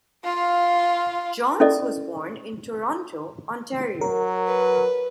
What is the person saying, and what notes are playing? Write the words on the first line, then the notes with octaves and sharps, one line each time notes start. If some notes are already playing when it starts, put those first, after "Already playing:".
Johns was born in Toronto, Ontario.
F4 F5
C#4 E4 A4 D5 D#5
F#3 A#4
B4